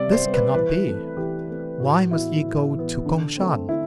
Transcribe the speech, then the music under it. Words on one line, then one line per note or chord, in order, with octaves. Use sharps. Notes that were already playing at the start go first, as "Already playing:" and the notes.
This cannot be! why must ye go to Kung-shan?
Already playing: C3 G3 B3 D5 E5
C5
G3 B3
B4
E3 B4
A3 C4
E3 G4
A3 C4
A2 F#4
E3 B3 E4
A2
E3 B3
D3
A3 C4
D3 E4